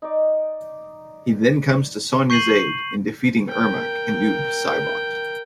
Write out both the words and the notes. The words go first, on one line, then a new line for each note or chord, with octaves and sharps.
He then comes to Sonya's aid in defeating Ermac and Noob Saibot.
D#4 D5
C#6 G6 C7 D#7 F#7
A#4 G5